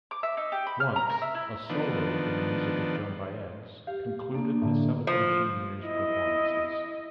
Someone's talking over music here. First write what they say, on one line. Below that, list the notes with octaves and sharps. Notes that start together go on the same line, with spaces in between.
"Once", a solo to the music of Joan Baez, concluded the celebration year's performances.
D6
E5
D#4
G4
B5
F6
A#5
A#4
E5
E4
D#3 F3 B3 D4
G4 F5
A#3 D4
A2 D3
F3
E4 D#5